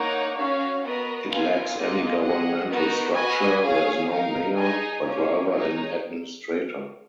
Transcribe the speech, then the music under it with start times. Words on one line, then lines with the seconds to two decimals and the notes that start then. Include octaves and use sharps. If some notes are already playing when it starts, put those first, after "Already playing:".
It lacks any governmental structure; there is no mayor but rather an "administrator".
Already playing: A#3 D#4 A#4 C#5 F#5
0.37 C#4 F#4 C#5 F5
0.83 B3 F#4 A#4 D#5
1.30 B3 F4 A#4 F5 G#5
1.77 A#3 F4 G#4 D#5 F#5
2.22 G#4 D#5 F#5
2.69 B3 D#4 F#4 A#4
3.15 F#4 B4 D#5 G#5
3.62 G#4 C#5 F5 G#5
4.08 D#4 A#4 F5
4.55 D#4 G#4 D#5 G#5
5.01 A#3 C#4 G#4 C#5
5.48 D#4 G#4 C#5